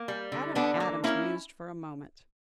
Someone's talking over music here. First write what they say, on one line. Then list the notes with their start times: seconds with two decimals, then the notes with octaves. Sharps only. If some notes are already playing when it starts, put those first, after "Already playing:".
Adam Adams mused for a moment.
Already playing: A#3
0.08 G3
0.32 D3
0.55 D3 B3 D4
0.80 A#3
1.04 A#3 C#4 E4